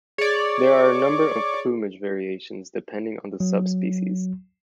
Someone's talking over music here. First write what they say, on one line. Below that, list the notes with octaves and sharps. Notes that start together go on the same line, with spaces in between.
There are a number of plumage variations depending on the sub-species.
G#4 C#5 D5
F#3